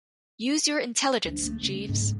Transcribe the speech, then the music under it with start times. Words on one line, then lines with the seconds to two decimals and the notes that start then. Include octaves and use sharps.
Use your intelligence, Jeeves.
1.25 D2
1.43 A3
1.63 C#3
1.89 G#2